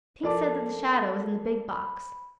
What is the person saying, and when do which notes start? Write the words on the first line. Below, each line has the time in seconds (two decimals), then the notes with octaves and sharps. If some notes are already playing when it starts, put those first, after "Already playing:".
Tink said that the shadow was in the big box.
0.23 F2 A4 A#4 D5 A5 D6
1.70 B5